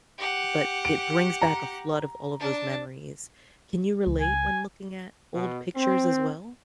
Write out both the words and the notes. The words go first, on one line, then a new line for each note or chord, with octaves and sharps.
but it brings back a flood of all of those memories. Can you relate when looking at old pictures as well?
G4 F#5
D7
A#5
D4 A5
C#2
G#5
B2
C4